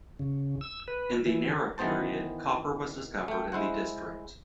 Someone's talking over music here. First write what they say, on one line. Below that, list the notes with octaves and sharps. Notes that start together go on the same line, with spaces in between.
In the Nara period, copper was discovered in the district.
C#3
E6
B4
E3
D#3 E3 B3 C5 A5
A3 G5
G#3 E4 C5 F#5